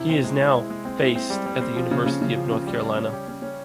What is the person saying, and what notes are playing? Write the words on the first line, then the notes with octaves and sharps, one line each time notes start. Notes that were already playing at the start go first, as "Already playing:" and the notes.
He is now based at the University of North Carolina.
Already playing: C3 E4
C4
G#3
E4
E4
G#3
C4
E4
C4
G3
G3
C4
F3
C#3
C#3
C#3
F3
C#3
G3
G3
C#4
G4
C#4
C#4